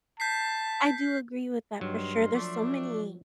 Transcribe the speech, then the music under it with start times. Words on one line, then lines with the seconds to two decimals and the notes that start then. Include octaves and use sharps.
I do agree with that for sure. There's so many
0.20 A5 G6 B6 C7
1.81 G2 D#3 F#3 G#3 C6
2.34 F3 A3 D4